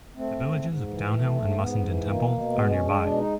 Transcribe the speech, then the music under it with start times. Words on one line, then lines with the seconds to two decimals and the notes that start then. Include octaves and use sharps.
The villages of Downhill and Mussenden Temple are nearby.
0.16 A3 C4
0.40 G#2
0.64 G#2
0.88 E3
1.12 A3
1.35 G#2
1.59 G#2 B3
1.83 E3
2.06 B2 A#3
2.30 B2
2.54 G#3 B3
2.70 C#4
2.78 G#3
2.86 D4
3.02 B2 D4
3.17 D#4